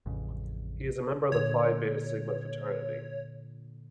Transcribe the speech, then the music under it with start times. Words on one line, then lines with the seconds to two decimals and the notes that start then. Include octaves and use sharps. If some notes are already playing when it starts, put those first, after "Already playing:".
He is a member of the Phi Beta Sigma fraternity.
0.06 A1 F2 C#3
1.32 A#2 D3 C#5